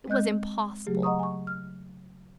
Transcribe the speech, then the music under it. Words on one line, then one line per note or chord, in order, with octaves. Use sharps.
It was impossible.
G#3 C4 D#5 F#6 G6
C#3 F#3 A3 G4 G#4
D#5 F#5 A#5 C#6 D#6
G#5 C#6
F6